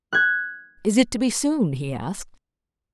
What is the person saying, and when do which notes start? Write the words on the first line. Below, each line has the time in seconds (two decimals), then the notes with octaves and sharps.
"Is it to be soon?" he asked.
0.13 F#6 G#6